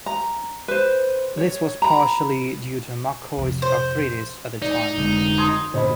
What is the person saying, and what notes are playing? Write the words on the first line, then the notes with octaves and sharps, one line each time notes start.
This was partially due to McCoy's arthritis at the time.
A#5
B4 C5
C#5
A#5 B5
F2 C3
C5
D#4 D5
F1 D3 G#3
C6 D#6 G#6
G2 A#2 D3 C5 D#5 B5